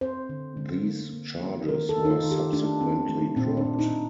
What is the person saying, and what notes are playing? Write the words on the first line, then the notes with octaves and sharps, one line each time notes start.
These charges were subsequently dropped.
C4 C5
D3
D3
A#3
A#3
A#3
D#3 A#4
A4
D#3
D#4
F4
D#3
G4
A3 D4
C4
A3
A#2 C4
D4
A#2
D#4
A#2